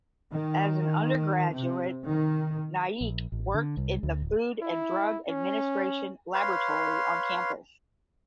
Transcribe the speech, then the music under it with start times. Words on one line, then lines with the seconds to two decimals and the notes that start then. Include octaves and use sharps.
As an undergraduate Naik worked in the Food and Drug Administration laboratory on campus.
0.31 D#3
1.51 C3
2.06 D#3
3.01 A#1
3.32 A1
3.54 D3
3.77 C2
4.03 D2
4.22 D1
4.61 E4
5.29 C#4
6.34 B4 C#5 F5 C6